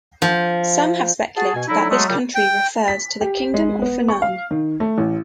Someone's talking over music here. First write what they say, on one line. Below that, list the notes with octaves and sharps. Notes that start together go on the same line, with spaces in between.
Some have speculated that this country refers to the Kingdom of Funan.
F3
F#4 G#4 A5
B2 G#5
D3 F#3 D#4 E4
F#3 G#3 A3
A#2 C#3 F#3 G3
G5
B6
G4
G#3
B3
C#6
F5
D#3
A3
A1